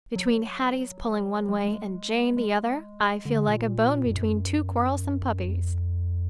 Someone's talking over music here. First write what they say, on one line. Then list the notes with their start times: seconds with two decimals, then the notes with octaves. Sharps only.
Between Hattie's pulling one way and Jane the other, I feel like a bone between two quarrelsome puppies.
0.16 F#3
1.48 G#3
1.68 G#3
2.37 G#3
3.25 D3
3.47 A#2
4.05 F2
4.13 F#2
5.46 F2